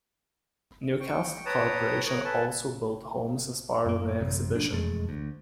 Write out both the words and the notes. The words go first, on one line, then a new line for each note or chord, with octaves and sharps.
Newcastle Corporation also built homes as part of the exhibition.
G5 C#6
B4 C#5 G5 A5 A#5 D#6
A#4 C#5 D#6 F#6
A4 B4 G#5 A5
F#2 A#3
A1 F#2 C3
E1 F2 A2 D4
E1 F2 G#3 A3
D2